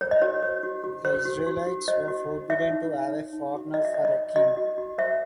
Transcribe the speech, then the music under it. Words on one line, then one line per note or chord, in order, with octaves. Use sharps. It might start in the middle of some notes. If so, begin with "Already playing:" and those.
The Israelites were forbidden to have a foreigner for a king.
C5 C#5
D#5
F#4 C#5
C5
F#4
F#4
C5
F#4
F#4
F#4
C5 D#5
F#4
F#4
C#5 E5
D#4
D#4
C#5
D#4
F#4
C#5 D#5
E5
C#5 D#5
D#5
C#5
F#4 D#5
F#4
F#4
C5 E5